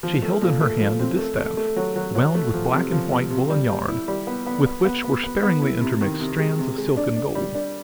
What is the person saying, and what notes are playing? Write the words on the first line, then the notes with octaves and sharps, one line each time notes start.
She held in her hand a distaff, wound with black and white woollen yarn, with which were sparingly intermixed strands of silk and gold.
F3
A3
A#2
A3
F3
C4
A3
A3
A3
F#3
F#3
F#3
A3
F3
C3
F3
C3
C3
G3
G3
E4
G3
B3
B3
B3
B3
B3
B3
B3
E4
C3
D#3
C3
G#3
C3
G#3
D4
D4
G3
D4